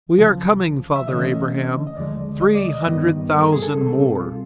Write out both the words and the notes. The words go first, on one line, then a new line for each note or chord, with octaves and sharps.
"We are coming, Father Abraham; Three hundred thousand more."
C#2 C#3 F3
E5
C#3 E3 A3 C#4 D#5
D#5
D#2 D3 F3 G#3 D5
D#5
D5
D#5
G2 D#3 G3 B3
A#4
A4
G#4
A4
B2 G3 C4
F4